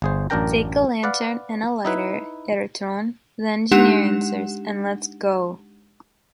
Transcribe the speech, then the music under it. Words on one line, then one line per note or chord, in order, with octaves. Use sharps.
Take a lantern and a lighter, Aytron, the Engineer answers, and let’s go.
G1 G#4 C5
A1 F#2 D4 A#4 G5 A#5
B4 D5 F5 F#5
D#4 E4 B4
G#3 D4 D#4 G4 F#5 E7